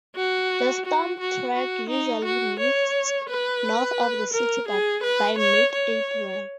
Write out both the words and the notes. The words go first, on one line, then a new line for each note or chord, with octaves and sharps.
The storm track usually lifts north of the city by mid-April.
F#4
F#4
F#4
F#4
D#4
F#4
C#5
B4
A#4
G#4
B4
C#5
C#5